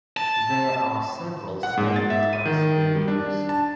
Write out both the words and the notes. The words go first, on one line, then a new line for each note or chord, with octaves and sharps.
There are several stained glass windows.
A5
F#5
G#2
A6
E5
D#7
D#3
G3
D4
A5